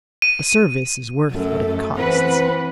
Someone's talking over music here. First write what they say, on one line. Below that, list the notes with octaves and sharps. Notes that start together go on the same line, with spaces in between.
A service is worth what it costs.
D#7
F#2 A3 A4
E3 C4 B4 F#5 B5